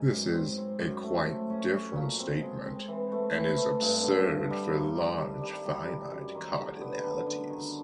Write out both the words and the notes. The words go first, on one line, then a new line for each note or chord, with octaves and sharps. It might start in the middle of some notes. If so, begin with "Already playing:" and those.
This is a quite different statement, and is absurd for large finite cardinalities.
Already playing: G#2
F#2
C4
C4
F#2
A3
A3
C#4
C#4
A#2
C4
G#3
C4
E3
A3
E3
A3
G2
D3
G2
G3
D#3
D#3
G3
G3
G3
G3
F#2
D#3
D3
B3
D3
D3
D#3